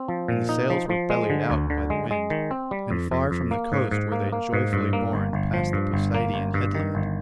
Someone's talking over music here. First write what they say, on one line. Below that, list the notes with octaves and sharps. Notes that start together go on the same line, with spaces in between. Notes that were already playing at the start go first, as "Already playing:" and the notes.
And the sails were bellied out by the wind, and far from the coast were they joyfully borne past the Posideian headland.
Already playing: C4
F3
A#2
D#4
F3
F3
G#3
D3
D2
D3
G#3
G#3
D#3
C4
G3
F2
F2
F2
A#3
G#2
G#2
A#3
A#3
G#2
G2
A#3
G1
G1
F3
G2
G1
A#3
G1
G2
D#3
G1